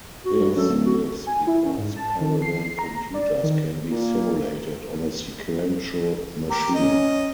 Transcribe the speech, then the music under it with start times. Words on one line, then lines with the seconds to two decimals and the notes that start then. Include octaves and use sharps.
This is because parallel computers can be simulated on a sequential machine.
0.25 F#4
0.40 G2
0.56 F#2 A4
0.69 D1
0.85 F#4
1.27 G#5
1.47 E4
1.65 C#4
1.78 G#2
1.96 A5
2.21 D#3
2.42 C7
2.79 A#5
3.14 D5
3.43 D#3
3.91 A#2 A#3
6.50 G4 A#4
6.75 C#4 D#5